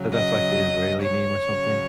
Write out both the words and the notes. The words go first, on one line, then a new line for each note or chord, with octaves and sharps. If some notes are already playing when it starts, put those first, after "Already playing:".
but, that's, like, the Israeli name or something?
Already playing: C#3 F#3
D#5
C#5
C#3 F#3